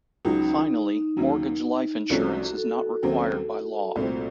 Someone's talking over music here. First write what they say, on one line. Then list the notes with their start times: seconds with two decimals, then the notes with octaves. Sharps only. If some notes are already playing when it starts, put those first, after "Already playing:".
Finally, mortgage life insurance is not required by law.
0.25 C#2 C#3 F#3 D#4
1.17 D#2 C#3 F#3
2.10 C2 C3 F3 A3 C#4 F#4
2.57 A4
3.03 D#2 C#3 F#3 C4
3.96 C2 A#2 A3 C4